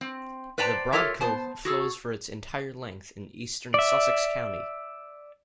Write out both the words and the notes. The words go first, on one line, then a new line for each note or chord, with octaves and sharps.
The Broadkill flows for its entire length in eastern Sussex County.
C4
B4 C5 D5 G5 A5 A#5
F4 G4 A4 A#4 C#5 E5
B3 C5 A5
F#4 G#4 A4
D5 E5